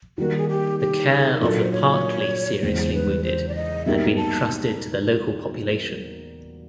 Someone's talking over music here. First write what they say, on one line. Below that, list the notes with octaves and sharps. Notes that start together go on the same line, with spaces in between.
The care of the partly seriously wounded had been entrusted to the local population.
D#3 G3 A#3 F#4
G#4
G4
G4
G#4
A#4
A#2 F#3 A#3 D4 F4 A4
C5
C#5
E2 C#3 E3 G#3 C5
B4
C5
D5
D#5
B2 G3 A#3 D#4 G4 E5
A5